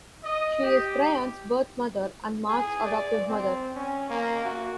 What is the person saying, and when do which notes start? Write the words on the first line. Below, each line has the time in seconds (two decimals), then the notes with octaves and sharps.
She is Bryon's birth mother, and Mark's adoptive mother.
0.23 D#5
0.61 G4
2.48 G#4
2.85 D5
3.29 C4
3.75 C#4
4.10 A#3
4.45 F#4